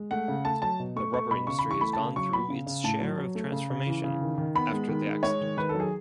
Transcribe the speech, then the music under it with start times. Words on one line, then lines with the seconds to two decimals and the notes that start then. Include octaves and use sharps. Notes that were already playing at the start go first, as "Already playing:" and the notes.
The rubber industry has gone through its share of transformation after the accident.
Already playing: G#3
0.11 A3 F#5
0.28 C#3
0.45 A3 A5
0.62 F#3 A5
0.80 B2
0.96 A3 C#6
1.13 A3 C#6
1.30 B2 B5
1.47 C#3 C#6
1.59 B5
1.64 E3
1.71 C#6
1.81 A3 B5
1.93 C#3 A5
2.16 F#3 C#6
2.33 B3 B5
2.50 C#3
2.66 C#3
2.84 A2 A5
3.01 F#3
3.18 F#3
3.35 A3
3.52 C#3
3.70 C#3
3.86 E3
4.04 C#3
4.21 D#3
4.38 D#3
4.55 B3 B5
4.73 G#3
4.89 D#3
5.07 G#3
5.23 G#3 C#5
5.41 D#3
5.57 D#3 B4
5.69 A4
5.75 F#3
5.80 G#4